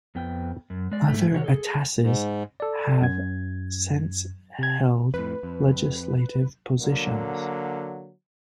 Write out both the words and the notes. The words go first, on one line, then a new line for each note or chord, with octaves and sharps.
Other Atassis have since held legislative positions.
F2 B3 G5
F#2
G#3 D5
G#2 A3
C3 D#3 F#4 C#5
G#4 A4
G#2
A4 D5
F#2 G#6
C3 G#6
F2 A2 B4
F2
D3 F#3 A#3